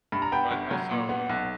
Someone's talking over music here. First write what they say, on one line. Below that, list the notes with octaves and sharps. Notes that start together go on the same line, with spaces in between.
But it's also um,
G2 B5
A#5
B3 G5 B5
G1
F#3
A#2
B3
B1